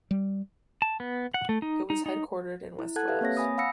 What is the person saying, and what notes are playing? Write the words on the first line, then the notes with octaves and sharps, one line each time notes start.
It is headquartered in west Wales.
G3
A5
B3
F#5
A3
D#4
D#4
D#4
E4
A4 F#5 A5 F#6 G#6
G4 B4 E5 F5
A#3 C4 C#5 A#6
G#5 B5 D#6
F5 F#5 B5 E6 A#6 C#7